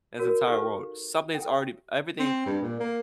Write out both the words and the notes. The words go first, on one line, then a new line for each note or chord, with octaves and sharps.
in this entire world. Something's already everything
F#4 A#4 C#5
D#4 G4 A4 B4 C5 F5
A4 G5
C4
G2
A#2
A#3